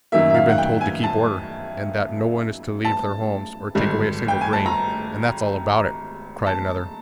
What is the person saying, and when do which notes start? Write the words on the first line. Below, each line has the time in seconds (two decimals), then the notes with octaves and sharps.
"We've been told to keep order, and that no one is to leave their homes or take away a single grain, and that's all about it!" cried another.
0.12 F#2 D#3 F#3 A#3 E5
0.30 E5
0.34 F5
0.49 F#5
0.58 G5
0.81 G#5
1.03 A5
2.85 A5
3.75 G#1 G2 D3 G3
4.28 G5
4.41 G#5
4.53 A5
4.66 A#5
6.46 A5